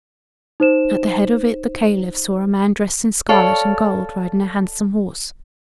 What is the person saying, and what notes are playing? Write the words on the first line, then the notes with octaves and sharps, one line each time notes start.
At the head of it the Caliph saw a man dressed in scarlet and gold, riding a handsome horse.
D#4 C5 E7
A4 C#5 D5 F5